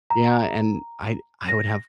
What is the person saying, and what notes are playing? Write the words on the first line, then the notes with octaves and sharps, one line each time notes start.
yeah, and I I would have
A#5
A#6